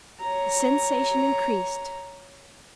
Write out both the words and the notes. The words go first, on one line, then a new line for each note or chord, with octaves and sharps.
The sensation increased.
C#5 A#5